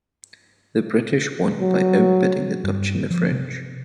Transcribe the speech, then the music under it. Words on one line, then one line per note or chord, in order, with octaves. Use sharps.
The British won by out bidding the Dutch and the French.
F#3
G2
F3
C3